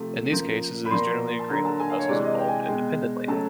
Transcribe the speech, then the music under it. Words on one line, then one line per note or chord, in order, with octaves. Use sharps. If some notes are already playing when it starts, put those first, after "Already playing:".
In these cases, it is generally agreed that the vessels evolved independently.
Already playing: C3 F3 A3
C#3 F3 A#3
B5
A#2 F3 A#3 C6
A5
D3 F#3 A#3 A#5
A5
G#5
F5
C#5
C3 E3 G#3 D5
D#5
G5
G#5
G5
B2 G#3
C#3 F#3 A3 A5